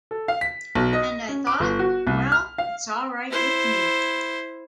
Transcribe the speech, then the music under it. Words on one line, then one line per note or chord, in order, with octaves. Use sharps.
And I thought, 'Well, it's all right with me.
A4
F5
B6
B1
D#5
C#4
D6
G1
F#4
C2
F6
F5
E4 C5